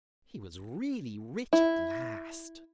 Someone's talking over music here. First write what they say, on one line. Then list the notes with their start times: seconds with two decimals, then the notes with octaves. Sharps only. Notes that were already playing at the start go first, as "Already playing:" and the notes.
He was really rich at last.
1.53 E4